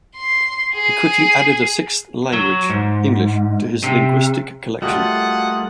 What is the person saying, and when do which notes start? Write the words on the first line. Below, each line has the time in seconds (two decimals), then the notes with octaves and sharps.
He quickly added a sixth language - English - to his linguistic collection.
0.16 C6
0.74 G#4
2.33 F#3
2.70 G#2
3.84 C3
4.82 G3 A3 A#3 F4 F#4 D#5 F#5